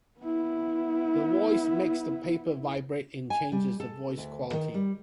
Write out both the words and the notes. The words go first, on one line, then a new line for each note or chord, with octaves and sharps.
The voice makes the paper vibrate and changes the voice quality.
B3 E4
G#5
G3
A4
D2
D#3
G3